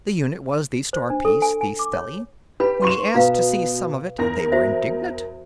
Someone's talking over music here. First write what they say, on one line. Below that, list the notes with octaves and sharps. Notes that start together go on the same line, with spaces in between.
The unit was the star-piece, the stelly. When he asked to see some of it, they were indignant.
C5
D4
A4
G#5
G#5
D6
C#5
G4 B4 B5
C6 C#6 E7
B2 B4 F5 A#5
E2 A#4 A#6
F#4 C5 E5